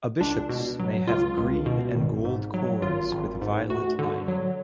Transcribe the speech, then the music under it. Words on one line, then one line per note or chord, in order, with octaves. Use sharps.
A bishop's may have green and gold cords with violet lining.
C#2 D4
B2
F#3
C#2 F4
C#2
B2
G#1
G#2
F#3
G#1 F4
G#1
G#2
D2 F#4
D3
F#3